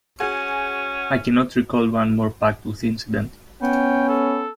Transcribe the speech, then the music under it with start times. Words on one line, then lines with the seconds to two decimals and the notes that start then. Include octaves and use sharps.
I cannot recall one more packed with incident.
0.20 C#4 F#4 G#4 G#5
3.62 B3 C#4 G5
4.09 A4